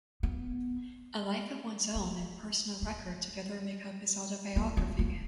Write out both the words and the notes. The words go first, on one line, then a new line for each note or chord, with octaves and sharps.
'A life of One's Own' and 'Personal Record' together make up his autobiography.
B3
A#3
G#3
A#3
B3
A#3